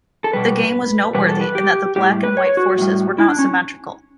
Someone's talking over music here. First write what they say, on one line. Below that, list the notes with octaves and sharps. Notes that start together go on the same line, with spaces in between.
The game was noteworthy in that the black and white forces were not symmetrical.
A4
B2 G3 B4
E2 B2 G3 B4
A4
B4
G4
A2 G3 G4
B4
C#5
F#4
A2 G3
E4
D4
C#4